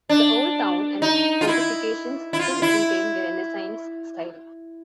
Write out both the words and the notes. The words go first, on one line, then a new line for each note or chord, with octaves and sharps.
The old town and its fortifications still retain their Renaissance style.
D4
D#4
F4
E4
E4
F4
E4